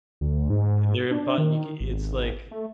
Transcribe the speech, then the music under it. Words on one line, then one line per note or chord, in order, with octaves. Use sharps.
uh, they're in part you ca it's, like
D2
G#2
D4
D#3
G#1
A3